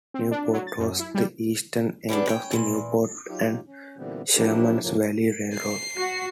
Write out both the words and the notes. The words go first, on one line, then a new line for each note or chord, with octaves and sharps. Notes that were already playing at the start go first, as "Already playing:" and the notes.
Newport was the eastern end of the Newport and Shermans Valley Railroad.
C4
D4
F#3
A6
F#2
E4
G3
E3 G3 B3 D4
C#4 D5 G5
A#2 E3
F#3 D#4 F4 G4
C#4
A#2 D3 E3 G3 B3 C4
F3 F#3 A#3 D4 E4 G4
F#2 A2 C#3 F3 F#3 A#3
C7
F#4